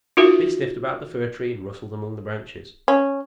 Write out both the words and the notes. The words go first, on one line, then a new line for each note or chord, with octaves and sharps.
They snuffed about the Fir Tree, and rustled among the branches.
D#4 F4 F#4 A#4 E5
C#4